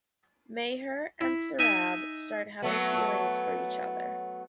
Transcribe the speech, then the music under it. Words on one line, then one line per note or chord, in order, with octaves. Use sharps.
Meher and Sarab start having feelings for each other.
E4
D#4 E5 G#5
F#3 A3 B3